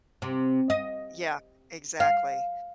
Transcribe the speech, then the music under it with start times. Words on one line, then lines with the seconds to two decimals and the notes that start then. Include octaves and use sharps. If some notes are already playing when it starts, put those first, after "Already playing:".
Yeah, exactly.
0.22 C3
0.70 D#5
2.00 F5